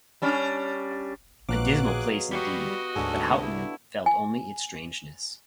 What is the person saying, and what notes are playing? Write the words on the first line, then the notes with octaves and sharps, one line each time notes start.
A dismal place, indeed, but Houghton felt only its strangeness.
G3 C#4 D4
A#1 B2 F3 F#3 F5 D6 F#6
G#4
G3 F#4 G4 D#5 B5 C#6 C7
D2 G#2 D3 G#4 A4 C#5
C2 E4
G#5